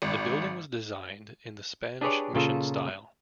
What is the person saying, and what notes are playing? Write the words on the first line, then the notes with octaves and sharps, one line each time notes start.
The building was designed in the Spanish Mission style.
G#1
D4 G4 G#4 B4 C#5 D5
A#2 C#3 F4 A4